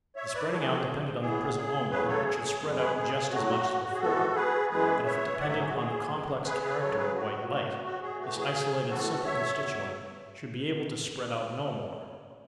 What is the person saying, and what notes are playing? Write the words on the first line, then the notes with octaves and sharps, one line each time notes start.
If the spreading out depended on the prism only it should spread out just as much as before, but if it depended on the complex character of white light, this isolated simple constituent should be able to spread out no more.
C#5 E5
E5
B4 D5
A2 G#3 B3 A4 C#5
G#4
F#4 A4
G#4
A2 E3 B3 G#4
G#4
E2 C#3 F#3 A3 G#4 B4
A4 C#5
G#4
F#2 C#3 G#3 B3
G#4 B4
G#4
A2 F#3 A3 F#4
F#4
G#4
G#2 E3 B3 F#4 A4
A4
G#4 B4
F#2 E3 G#3 B3 G#4 B4
C#5 E5
G#2 F#3 A3 D5 F#5
C#5 E5
G#4
F#4
G#4
F#2 D3 G#3 B3
G#4 B4
G#4 B4
F#2 C#3 F#3 A4 C#5
G#4 B4
F#4
A2 F#3 A3 F#4
F#4
G#4
A2 E3 A3 F#4
G#4
A2 E3 B3 F#4 A4
C#5 E5
E2 B2 F#3 B3